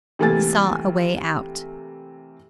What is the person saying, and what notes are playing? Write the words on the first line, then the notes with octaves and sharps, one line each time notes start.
He saw a way out.
C3 E3 A3 A#3 G#5 A6